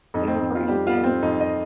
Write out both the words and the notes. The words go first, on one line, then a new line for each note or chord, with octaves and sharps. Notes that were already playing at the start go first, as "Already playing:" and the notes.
during important events?
F2 D#4
C4
F2
F4
G3 G4
F4
F2
C4
F2 D#4
D#5